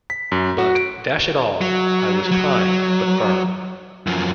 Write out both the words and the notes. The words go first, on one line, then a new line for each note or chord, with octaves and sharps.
"But, dash it all" - I was kind, but firm.
B6
F#2
F#4
D7
F#3
F#3
F#2 F3